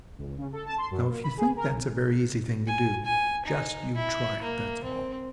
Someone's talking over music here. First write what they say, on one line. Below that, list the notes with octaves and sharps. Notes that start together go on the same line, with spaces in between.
Now, if you think that's a very easy thing to do, just you try it, that's all.
C#2
C#3
A4
A5
C6
F#2
A#3
B5
G#4
A#4
B1
G#5
G#5
D#4
E4
A#3
C4